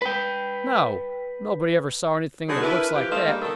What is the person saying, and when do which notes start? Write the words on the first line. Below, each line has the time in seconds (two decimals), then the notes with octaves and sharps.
No; nobody ever saw anything in the books like that.
0.02 B4 G5
2.48 D3 F#3 D#4 F#4 G#4
2.62 D4 E4 A#4 B4
2.95 E3 F3 F4 G4 B4
3.11 A3 D#4 C5 D#5 F5
3.25 G3 G#3 A#3 D4
3.41 B2 D3 D#3 A4